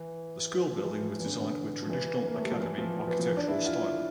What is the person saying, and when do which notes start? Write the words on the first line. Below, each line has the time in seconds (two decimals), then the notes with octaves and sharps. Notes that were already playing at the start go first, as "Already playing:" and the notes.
The school building was designed with traditional academy architectural style.
Already playing: E3
0.73 F3
0.84 E3
1.19 E3
1.26 D3
1.40 D3
1.82 F3
1.90 E3
2.26 A#3
2.35 A3
2.44 G3
2.52 F3
2.60 E3
2.78 F3
3.07 E3
3.19 F3
3.37 D4
3.48 E4
3.66 F4